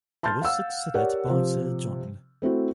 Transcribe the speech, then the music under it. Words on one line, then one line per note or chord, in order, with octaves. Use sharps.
He was succeeded by Sir John.
A5 C6 F6 G6 A6
F5 F#5 E6
G4 A#4 C#5 D5 F#5
C3 F3
A3 C4 E4 F#4